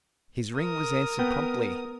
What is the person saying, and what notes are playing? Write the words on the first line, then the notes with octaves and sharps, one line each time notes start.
His ring was answered promptly.
A#4 D#6
B3 G5